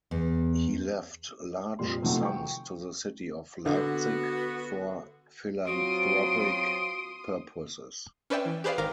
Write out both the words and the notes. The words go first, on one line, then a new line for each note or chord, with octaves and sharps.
He left large sums to the city of Leipzig for philanthropic purposes.
E2
F2 A#2 G3 C6
C3 D#3 F3 F#3 A3
G5 C#6
D3 B3 F#4
F#3 C4 F4 F#4 C6 D#6 D7
C#4 B4 C5 D5 E5 G5
E3
G4 G#4 B4 C5 D5 F5
G#1 D#3 A#4 F5 D6